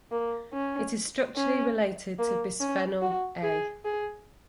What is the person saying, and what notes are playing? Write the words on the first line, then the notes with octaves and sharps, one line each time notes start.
It is structurally related to bisphenol A.
A#3
C#4
C#4
A#3
C#4
F#4
G#4
G#4